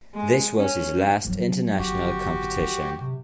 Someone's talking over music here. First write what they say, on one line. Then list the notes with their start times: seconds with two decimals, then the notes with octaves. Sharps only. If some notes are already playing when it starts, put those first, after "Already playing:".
This was his last international competition.
0.14 G#3
0.58 C#4
1.25 F3 F#3
1.79 G1 F#4 G4
3.01 C3